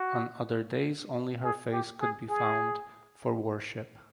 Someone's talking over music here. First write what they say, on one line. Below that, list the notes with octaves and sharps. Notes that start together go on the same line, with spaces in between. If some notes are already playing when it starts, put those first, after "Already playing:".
On other days only her face could be found for worship.
Already playing: F#4
G#4
G4
G#4
G#4